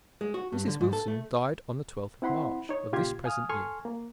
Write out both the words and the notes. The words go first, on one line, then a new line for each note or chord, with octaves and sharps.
Mrs. Wilson died on the twelfth of March of this present year.
G#3
F#4
G2
D3
G#2
A4
A3
C4 E4 F#5 B5 C6
D#4 C#5
A#2 C#3 F4 G4 C6 G#6
F5 G#5 D#6 F6
A4 G#5 C6 C#6 F6
A#3